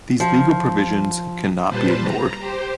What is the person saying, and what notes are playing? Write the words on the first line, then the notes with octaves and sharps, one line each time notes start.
These legal provisions can not be ignored.
F3
A#2 G3 B4 C5 A5
A#5
G4 C5